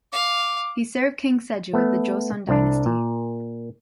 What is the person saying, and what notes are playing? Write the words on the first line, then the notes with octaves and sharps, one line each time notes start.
He served King Sejo of the Joseon dynasty.
F5 D6
A3 B3
C2 D4
A#2